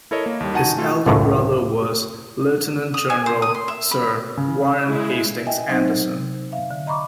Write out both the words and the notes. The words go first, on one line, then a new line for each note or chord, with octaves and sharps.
His elder brother was Lieutenant General Sir Warren Hastings Anderson.
E4 A4 A#4 C#5 D#5
A#3
D#2 G3
D#4 F#4 F#5 G#5 A5 D#7
A3 F4 A4
C#2 F#2 A2
D#6
G#5
C5
D#6
C6
E5
B5
C#3
G#3 E4
D#5 E5 G5 G#5
F#3 C4 D#4 C5
C3
E5 F5
D3
D#5 A#5 B5 C#6 D6